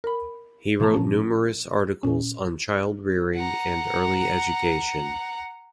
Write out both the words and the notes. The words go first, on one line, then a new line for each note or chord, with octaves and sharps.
He wrote numerous articles on child rearing and early education.
A#4 B5
B2 E3 A3 A5 A#5
A#2 F3 C#4
A#2 C#4
F#5 A#5